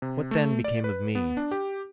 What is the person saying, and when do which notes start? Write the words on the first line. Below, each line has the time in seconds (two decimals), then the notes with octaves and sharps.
What then became of me?
0.02 C3
0.31 A3
0.64 D5
0.84 B4
1.15 B3
1.37 D4
1.51 G4